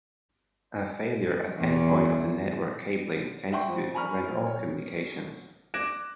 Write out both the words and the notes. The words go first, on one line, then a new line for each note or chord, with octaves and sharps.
A failure at any point of the network cabling tends to prevent all communications.
E2
E5 F#5 G5 C6 C#6
F2
G#5 A#5 B5 C#6 F6
A#1
C#5
D6 F#6 G#6 A#6 D7 E7